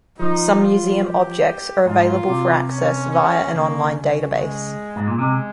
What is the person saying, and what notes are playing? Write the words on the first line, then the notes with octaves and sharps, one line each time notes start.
Some museum objects are available for access via an online database.
F3 D#4
F4
G4
G#2 F4
C3
C#4
C#4
C#3 A#3
G#3
G#2
A#2
C3 G#3